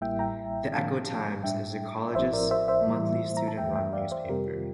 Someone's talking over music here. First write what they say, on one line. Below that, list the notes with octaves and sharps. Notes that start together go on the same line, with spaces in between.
"The Echo Times" is the college's monthly student-run newspaper.
A1 A2 G3 A#3 E4 E5 G5
G5 A#5
A2 F3 A#3 D4 F5 A5
A2 G3 D4 E5 G5
A1 A2 F3 C4 E4 C5 E5
A#4 D5
C5 E5
C5 E5
A2 E3 G3 A#3 E4
A#5
A5
E2 E3 A3 E5 G5
E5 G5
D5 F5
C5 E5
F2 C3 G3 C4 G4 A#4
F4